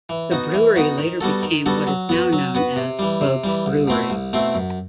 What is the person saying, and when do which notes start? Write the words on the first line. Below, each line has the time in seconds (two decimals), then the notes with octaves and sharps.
The brewery later became what is now known as Boag's Brewery.
0.09 E3
0.32 B3 D#4 F#4
0.54 E3
0.76 B3 D#4 F#4
0.98 D#3
1.21 G3 B3 F#4 A4
1.43 D#3
1.66 G3 B3 F#4 A4
1.87 F#3
2.09 B3 F#4 B4
2.33 F#3
2.55 B3 F#4 B4
2.76 C3
2.99 E3 G3
3.21 C3
3.44 E3 G3
3.66 C2
3.88 B2 A3 C4 E4
4.10 C2
4.33 B2 A3 C4 E4
4.54 F#2